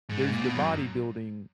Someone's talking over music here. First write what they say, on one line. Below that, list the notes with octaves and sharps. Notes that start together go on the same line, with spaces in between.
there's the bodybuilding
G#2
A#2
B2
F#2